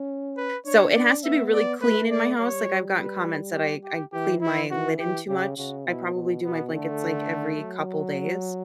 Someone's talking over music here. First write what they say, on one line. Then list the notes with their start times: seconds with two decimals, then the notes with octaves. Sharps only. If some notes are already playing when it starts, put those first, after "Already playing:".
so it has to be really clean in my house, like, I've gotten comments that I I clean my linen too much, I probably do my blankets, like, every couple days.
Already playing: C#4
0.37 B4
0.66 D4 C#5
0.95 D4 D5
1.24 B3 E5
1.53 D5
1.81 A3 B4
2.10 D5
2.39 G3 C#5
2.98 B4
3.54 G4
3.83 G4
4.13 E3 G4
4.41 E3 E4
4.70 E3 F#4
4.99 G4
5.28 C#3 G4
5.57 C#3 F#4
5.86 B2 E4
6.14 B2
6.43 B2 B3
6.73 D3 A3
7.59 F#3